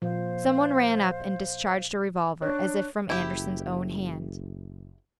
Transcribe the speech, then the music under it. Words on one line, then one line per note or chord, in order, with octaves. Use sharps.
Some one ran up and discharged a revolver as if from Andersen's own hand.
A#2 F3 C5 F5
D4 C#5 F#6
F#1 E4 G4